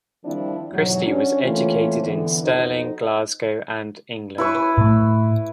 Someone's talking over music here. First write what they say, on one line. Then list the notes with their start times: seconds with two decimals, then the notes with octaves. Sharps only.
Christie was educated in Stirling, Glasgow and England.
0.24 D#3 F3 G3 C4 D4 E4
0.72 E2 G#2 B2 F#3
1.04 C#4 D4 F#4
1.43 E3 A3 A#3 C4 C#4 F4
2.02 D3 E3 B3
2.44 F2 D#4 F#4 C5 D#5
4.38 E4 B4 C#6
4.54 B4
4.78 A2 A3